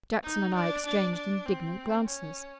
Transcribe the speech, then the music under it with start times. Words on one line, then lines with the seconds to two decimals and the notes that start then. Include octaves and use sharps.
Jackson and I exchanged indignant glances.
0.23 D#4
0.54 D4
0.85 D4
1.15 D4
1.45 C4
2.07 C#4